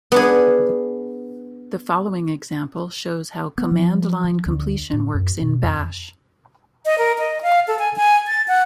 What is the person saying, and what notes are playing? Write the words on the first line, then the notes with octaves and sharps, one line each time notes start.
The following example shows how command-line completion works in Bash.
B3 D4 G#4
B3
F3
F3
D2
A2
F#2
B2
F2
D#5
A#4
D#5
F5
A4
G#5
G#5
A6
F#5